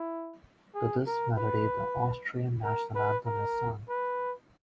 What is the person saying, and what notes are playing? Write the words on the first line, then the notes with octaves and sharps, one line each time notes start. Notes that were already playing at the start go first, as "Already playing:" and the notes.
To this melody the Austrian national anthem is sung.
Already playing: E4
G#4
A#4
B4
A#4
B4
A#4
B4